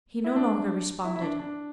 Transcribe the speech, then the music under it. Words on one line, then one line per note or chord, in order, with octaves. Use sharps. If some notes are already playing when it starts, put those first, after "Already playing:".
He no longer responded.
E4
D4
E4
E4
D4
D4